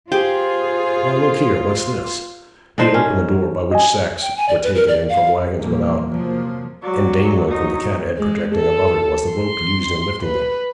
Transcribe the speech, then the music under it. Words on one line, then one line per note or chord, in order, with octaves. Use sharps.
Why, look here, what's this?' He had opened the door by which sacks were taken in from waggons without, and dangling from the cat-head projecting above it was the rope used in lifting them.
F4 G4 G#4 C5
D4 D#4 C5
C#4
D#5 G#5
G5
G#5
D5
B4
A#4
D5
F5
F1 E2 A#2 F3 G3 A#3
C3 F3 F#3 A#3
F#3 D5
F#3 D#4
G#3
A4
C6
B4